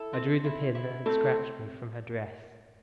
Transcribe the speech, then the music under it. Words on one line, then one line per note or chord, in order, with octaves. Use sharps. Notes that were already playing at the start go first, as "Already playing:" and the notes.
I drew the pin that had scratched me from her dress.
Already playing: E4 A4
C4
E4
E4
A3 C4